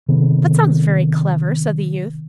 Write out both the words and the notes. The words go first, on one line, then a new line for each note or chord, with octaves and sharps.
'That sounds very clever,' said the youth.
C3 D#3 B3